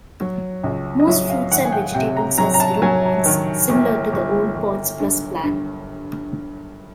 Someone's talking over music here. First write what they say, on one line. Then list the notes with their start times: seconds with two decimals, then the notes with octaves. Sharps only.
Most fruits and vegetables are zero points, similar to the old PointsPlus plan.
0.21 F#3
0.64 C#2
1.00 D#5
1.07 F#3 E5
1.29 F5
1.51 D#3 F#5
1.65 G#5
1.72 G5
1.94 C3 G5
2.17 A#5
2.38 F#3 A#5
2.54 A#5
2.60 A5
2.82 F#3 G#5
3.25 D#3
3.69 G1
4.13 G1
4.56 G1
4.99 G2
5.43 G2